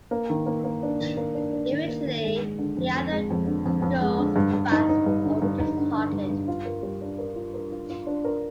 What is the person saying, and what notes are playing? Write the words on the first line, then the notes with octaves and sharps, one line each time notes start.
Eventually he either goes bust or reaches his target.
A#3
D#3
A#3
A#3
D4
D#3
A#3
D4
D4
D#3
A#3
D#3
G#3
G#3
D3
F2
F2
G#3
F2
D3
F2
F2
G#3
D3
G2
G2
D#4
D#4
G2
D3
G2
D#4
D3
D3
G2
G2
F4
A#4
G3
D4
A#4
F4
A#4
F4
F4
D4
A#4